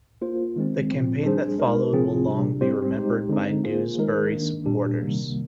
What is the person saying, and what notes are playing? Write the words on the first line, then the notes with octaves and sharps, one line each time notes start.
The campaign that followed will long be remembered by Dewsbury supporters.
A#3 F4 C5
D#3 G#3 C4
A#2 F3 C4
G3 D4 G#4 C5
G#3 D#4 A#4
C3 F3 C4 F4 G#4
C3 G3 D4
G3 C4 G4 C5
G#3 D#4 G4 C5
D3 G#3 C4 D#4
A#3 F4 G#4 C5
D#3 G#3 D#4 A#4
D#3 A#3 D4
A#2 G3 D4 G4
C3 D#3 G3 A#3